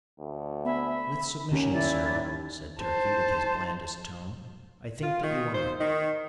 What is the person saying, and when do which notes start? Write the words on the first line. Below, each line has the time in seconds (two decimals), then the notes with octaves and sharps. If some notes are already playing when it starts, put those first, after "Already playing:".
"With submission, sir," said Turkey, with his blandest tone, "I think that you are."
0.19 D2
0.65 B3 C5 E5 G#5 B5
1.52 D#2 D#3 C#4
1.71 E4 D5
2.79 C5 A5
5.03 F4
5.22 D#3
5.54 C5
5.79 D#3